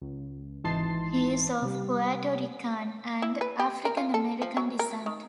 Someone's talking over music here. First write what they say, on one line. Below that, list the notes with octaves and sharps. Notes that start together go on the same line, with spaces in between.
He is of Puerto Rican and African American descent.
C#2
G#1 E3 D#4 A5 C6 C7
C3 G3
E4
B4
G4
A#4
F4
A4
F3
F#3
A#4
D#3